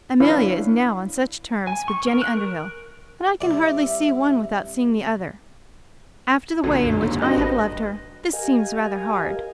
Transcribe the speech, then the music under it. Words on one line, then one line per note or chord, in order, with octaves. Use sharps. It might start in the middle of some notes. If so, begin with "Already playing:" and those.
Amelia is now on such terms with Jenny Underhill that I can hardly see one without seeing the other After the way in which I have loved her, this seems rather hard.
D4 E4 B4 C#5 E5 F5
G#5
C#6
A#4
F#6
A#4
C2 D5 E5
B1 A#2 D3 F#3
F#2
D#2 G#2
G2 F#4 G4 C5 D#5
G#1 B4
G4 A#4 D#5 F5 G#5